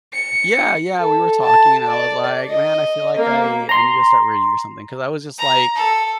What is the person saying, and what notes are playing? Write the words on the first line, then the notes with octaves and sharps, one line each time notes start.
Yeah, yeah, we were talking and I was like, "Man, I feel like I I need to start reading or something." 'Cause I was just, like
C#7
A4
A5
D5
D#5
A#3
A#5 C6
A#5
A4